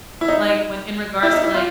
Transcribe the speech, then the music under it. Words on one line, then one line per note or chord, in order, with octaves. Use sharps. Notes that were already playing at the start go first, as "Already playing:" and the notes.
like, when in regards to, like,
E4
D#4
E4
D#4
E4
F4